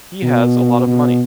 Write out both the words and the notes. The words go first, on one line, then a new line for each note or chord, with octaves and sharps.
He has a lot of money.
B2
B2